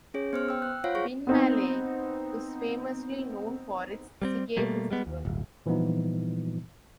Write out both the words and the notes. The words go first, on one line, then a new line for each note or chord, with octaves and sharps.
Binmaley, is famously known for its "Sigay Festival".
C#4 G#4 C#5
B3 C5 F6
G5 E6
F#6
F4 C5 C#5 F5 F#5
G#4 C#6
B3 C4 D#4
G3 A#3 C4
B2 G3 A3 A#3
G3 G#3 B3
D#2
D1 G1
A#2 E3 F3 G3 B3 D#4